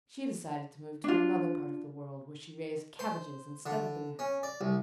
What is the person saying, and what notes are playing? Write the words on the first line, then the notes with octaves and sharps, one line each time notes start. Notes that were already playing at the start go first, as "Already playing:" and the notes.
She decided to move to another part of the world where she raised cabbages instead of bananas.
D4 F4
C5
D3
C#4
D5
C2